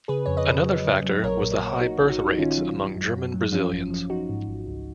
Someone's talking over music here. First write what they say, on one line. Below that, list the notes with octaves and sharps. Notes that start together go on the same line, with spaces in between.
Another factor was the high birth rates among German Brazilians.
C#3 G#4 B4
F2 C#5
B4 D#5
C#3
F#3
C#3
F#3
A#1 A#4 C#5
A#2
A#4 C#5
A#2
A#2 D#4 F#4
A#1
D#4 F#4
A#1
D#4
D#3 C#4 F4
F#3
F#3
F#2
F#2
F#3
F3 C#4 F4
G#1
F3
F3 D#4 F#4
G#2
G#1
C#2